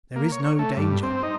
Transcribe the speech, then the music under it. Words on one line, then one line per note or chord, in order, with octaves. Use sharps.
"There is no danger."
A#3
C#5
C#5
A3
G2
C4
D#4